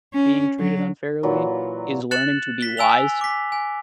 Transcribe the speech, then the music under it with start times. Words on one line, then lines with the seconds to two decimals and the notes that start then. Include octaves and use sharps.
being treated unfairly, is learning to be wise.
0.14 C#4
0.59 F#3
1.23 A#2 E3 F#3 F4
2.11 F#6 A6 C#7 E7 F#7
2.61 B6 G7
2.77 G#5 E6 F7 G7
3.21 D6 B6
3.52 G#5